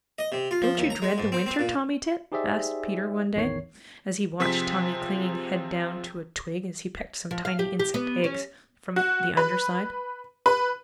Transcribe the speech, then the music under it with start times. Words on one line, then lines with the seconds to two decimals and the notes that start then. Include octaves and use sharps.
"Don't you dread the winter, Tommy Tit?" asked Peter one day, as he watched Tommy clinging head down to a twig as he picked some tiny insect eggs from the under side.
0.19 D#5
0.32 C3
0.51 F4
0.62 F3
0.77 D#2
0.90 A#5
1.02 G#3
1.18 G#2
1.32 C4
1.46 C4
1.59 A#2
2.32 D#4 G4 G#4 C5 D5 E5
3.35 A1 E2 D#3 C#5 C7
4.40 C3 F3 C4 G#4 B6
7.31 F3
7.45 F5
7.59 G4
7.79 G4
7.94 B3
8.24 C#4
8.96 F#4
9.37 B4
10.46 B4